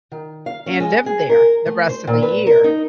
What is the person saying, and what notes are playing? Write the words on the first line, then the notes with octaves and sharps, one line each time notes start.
and live there the rest of the year.
D#3
F5
C#4
G#3
G#4
A#4
A3
C5
A#2
B4
A#4
D#4